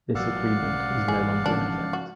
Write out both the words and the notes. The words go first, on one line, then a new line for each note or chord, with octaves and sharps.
This agreement is no longer in effect.
A1 F#3 F#4 D5 F5 F#5 E6
B1 C#3
G1 A#2 E3 E4 G#4
G#2 C#3 F3 D4
F#4